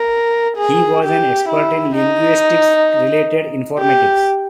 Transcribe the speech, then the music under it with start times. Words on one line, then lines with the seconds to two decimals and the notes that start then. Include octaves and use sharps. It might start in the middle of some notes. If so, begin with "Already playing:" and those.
He was an expert in linguistics-related informatics.
Already playing: A#4
0.57 G#4
1.04 G4
1.49 E4
1.96 D#4
3.79 G4